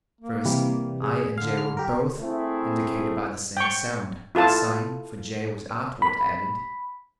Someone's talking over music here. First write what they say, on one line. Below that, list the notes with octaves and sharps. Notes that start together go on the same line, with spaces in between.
At first i and j were both indicated by the same sound; a sign for j was afterward added.
A#3
C3 E3 G3
G#4
D3 F5
F6
G4 A#4
A3 C4 E4 G#4
G5 C#6
E4 F4 A4 A5
B5